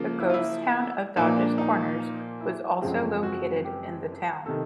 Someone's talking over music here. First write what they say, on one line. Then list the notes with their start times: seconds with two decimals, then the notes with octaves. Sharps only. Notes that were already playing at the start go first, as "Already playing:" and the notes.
The ghost town of Dodges Corners was also located in the town.
Already playing: C#3 F3 A#3
0.20 E4
0.30 F4
0.34 E4
1.16 A#2 F3 A#3 D#4
1.37 D4
1.58 D#4
2.41 E4
2.81 F#2 C#3 F3 G#3 C4
3.23 F#4
3.64 G4
4.46 C3 D#3 A4